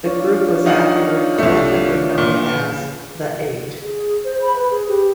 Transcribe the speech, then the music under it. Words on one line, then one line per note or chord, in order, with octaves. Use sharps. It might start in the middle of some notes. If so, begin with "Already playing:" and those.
The group was afterward collectively known as The Eight.
D4 F4 C#5
D#4 F5 F#5
C2 A3
A#2
B4
G#4
C5
B5
B4
G#4
G4